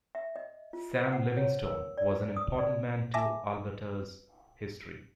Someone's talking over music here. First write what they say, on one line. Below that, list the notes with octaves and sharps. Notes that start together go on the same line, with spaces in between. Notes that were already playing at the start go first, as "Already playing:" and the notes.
Sam Livingston was an important man to Alberta's history.
E5
D#5
F4
C5
F#5
C#5
A#4
D5
D#6
D5
E5 G#5 A5 D6 A#6